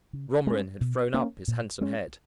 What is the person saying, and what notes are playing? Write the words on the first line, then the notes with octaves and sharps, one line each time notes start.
Romarin had thrown up his handsome head.
C#3
G#3 C#4
B2
A#3 C#4
A#2
G#3 C#4